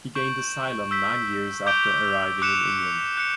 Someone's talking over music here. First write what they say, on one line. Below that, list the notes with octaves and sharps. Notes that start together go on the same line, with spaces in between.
He gained asylum nine years after arriving in England.
C#6 G6 D7 F#7
E6 G6 B6
D6 G6 D7 G7
D6 F#6 C#7 E7
F#6 C#7